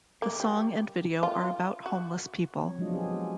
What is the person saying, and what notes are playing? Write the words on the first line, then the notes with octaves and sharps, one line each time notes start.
The song and video are about homeless people.
A#3
G3
F4
F#4
F3 C4 C#5
F3 F#3 G#3 D4 F4 D#5
B3 G4 G#4
F#4